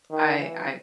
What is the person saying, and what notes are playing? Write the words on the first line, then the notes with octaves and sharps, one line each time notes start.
I I
D#3
E3